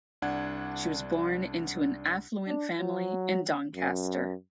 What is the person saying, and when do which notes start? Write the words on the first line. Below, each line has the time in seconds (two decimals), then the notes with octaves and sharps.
She was born into an affluent family in Doncaster.
0.22 C2 D4 F#5 G#6
2.47 D4
2.80 F#3
3.75 F#2